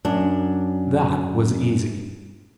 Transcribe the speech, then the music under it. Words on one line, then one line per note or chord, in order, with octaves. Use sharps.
That was easy.
F#2 D4